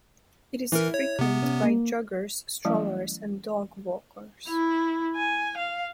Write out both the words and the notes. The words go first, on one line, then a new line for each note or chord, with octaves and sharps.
It is frequented by joggers, strollers, and dog walkers.
E3 E4 A#4
C#5
C3 B3
C#4
A#3
E3 F#3 G3 A3 C#4 E4
E4
G#5
F5